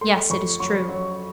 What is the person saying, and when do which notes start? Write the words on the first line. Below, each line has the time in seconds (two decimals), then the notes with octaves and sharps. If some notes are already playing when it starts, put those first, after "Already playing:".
Yes, it is true.
0.01 A3 C6
0.30 F2 C#6
0.59 F#3 C#6
0.89 F#3